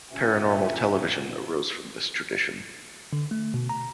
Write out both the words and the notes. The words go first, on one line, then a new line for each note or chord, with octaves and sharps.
Paranormal television arose from this tradition.
A#2 D3 C#4 G4 E5
D3
A3
B2
A#5